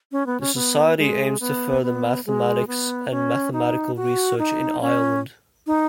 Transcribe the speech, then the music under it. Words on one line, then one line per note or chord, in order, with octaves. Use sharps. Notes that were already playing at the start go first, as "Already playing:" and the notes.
The society aims to further Mathematics and Mathematical research in Ireland.
C#4
B3
C#4
B3
G#3
B3
B3
G#3
B3
C#4
D#4
F#4
D#4
C#4
D#4